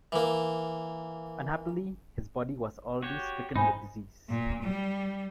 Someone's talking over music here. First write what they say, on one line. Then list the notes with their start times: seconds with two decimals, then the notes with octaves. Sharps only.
Unhappily, his body was already stricken with disease.
0.12 E3 A#3
3.03 F#4 G4 C#5
3.56 G#2 G#3 C4 D#4 C5 G#5 B5
4.29 A#2
4.62 G3